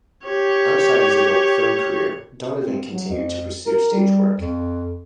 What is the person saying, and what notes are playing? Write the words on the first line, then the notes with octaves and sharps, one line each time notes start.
Outside his adult film career, Donovan continued to pursue stage work.
G4 C#5
C4
F#3
F2
A#4
G3
F2